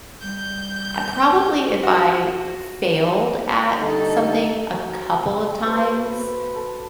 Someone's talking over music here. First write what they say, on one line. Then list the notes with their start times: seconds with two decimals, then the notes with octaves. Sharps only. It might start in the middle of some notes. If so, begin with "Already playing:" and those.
I probably, if I failed at something a couple of times,
0.21 G3 G6
1.84 F#4
3.79 D3 G3 D#4 A4
4.72 F#3
5.25 C#3
5.65 A4 B4 C5
6.56 A4